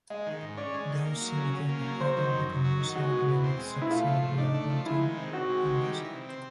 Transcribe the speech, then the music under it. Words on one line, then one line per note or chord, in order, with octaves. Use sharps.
There she became head of the commercial economic section of the Argentine embassy.
G#3 D#5
D#3
G#2
C#4 D5
G#3
D#3
A#3
F#3
C#3
C#3
A#3
F#3
F#3 C5
D#3
F#2
F#2
F#3
D#3
G#3 F#4
B2
E2
C4
G#3
B2
E4
A3 F4
F3
A2
D4 D#4
A3
F3
G#3 E4
D#3
C3
C3 F#4
G#3
D#3
G3
E3
C3
C4